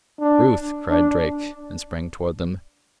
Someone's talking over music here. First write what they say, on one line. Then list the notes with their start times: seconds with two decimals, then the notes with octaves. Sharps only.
"Ruth!" cried Drake--and sprang toward them.
0.21 D4
0.91 D4